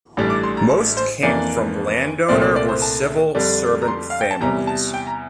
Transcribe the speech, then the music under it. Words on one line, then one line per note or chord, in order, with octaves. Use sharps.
Most came from landowner or civil servant families.
A1 A2 G3 D4
D6
C6
A#5
A5
C5
F2 E3 A#3 D4 D5
C2 A#2 A3 C4 D5
D5
D5
C5
A5
F2 D3 G3 D4
A#5
C6
F5
G5
A5
E2 C3 G3 A#5
A5
G5
A#5